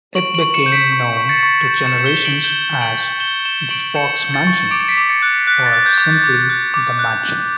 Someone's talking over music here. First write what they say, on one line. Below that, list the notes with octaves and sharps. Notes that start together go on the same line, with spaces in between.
It became known to generations as "the Fox Mansion" or simply "the Mansion".
C#6 D7 F#7
D7 F#7
C#6
C#7 E7
G6
B6 D7
C#6
C#6
A6 C#7
C#6
G6
C#7 E7
G6
E7 G7
G6
D7 F#7
G6 E7 G7
G6
D7 F#7
G6
G6 E7 G7
C#6 E7 G7
C#6 D7 F#7
G6 C#7 E7
G6
A6 C#7
C#6
D6 D7
C#7
B6 D7
D6
A6 C#7
F#6
F#6 B6
A6
F#6
G6
D6
A6
D6
F#6
D6
F#6
F#6